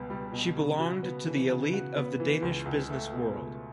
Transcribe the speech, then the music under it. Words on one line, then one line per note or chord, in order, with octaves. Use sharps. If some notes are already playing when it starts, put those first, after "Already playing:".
She belonged to the elite of the Danish business world.
Already playing: C#2 B2 G3 B3
G3
B2
C#3
F#4
B3
E3
C#3
F#4
B3
E3
C#2
C#2
A3
B2
C#2